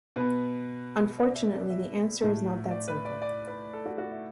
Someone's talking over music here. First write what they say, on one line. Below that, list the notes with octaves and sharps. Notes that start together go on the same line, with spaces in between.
Unfortunately, the answer is not that simple.
B2 B3 B4
D5
E5
D5
E5
A2 A3
D5
B4
D5
D5
B4
A4
F#4
F#4
E4